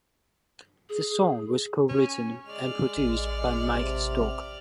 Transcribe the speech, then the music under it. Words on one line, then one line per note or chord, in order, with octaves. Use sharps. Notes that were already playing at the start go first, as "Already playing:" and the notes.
The song was co-written and produced by Mike Stock.
G#4
C#4
G#3 D5 F6
A1
C3